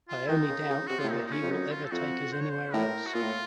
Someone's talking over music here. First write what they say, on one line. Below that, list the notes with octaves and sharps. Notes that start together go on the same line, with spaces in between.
I only doubt whether he will ever take us anywhere else.
F4
D#3 D#4
C#3
C#3
C3 F#4
A2 F4
A#2 D#4
D#4
C#4
F2
F#2 D#4
F4
A4
F2 F#4
C5
C#5
C5
A2 A#4
F#4
A#2 F4
A2